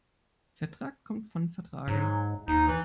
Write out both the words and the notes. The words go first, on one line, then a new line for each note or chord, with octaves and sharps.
Vertrag kommt von vertragen.
G#2 F#3
D#2 D#4
E3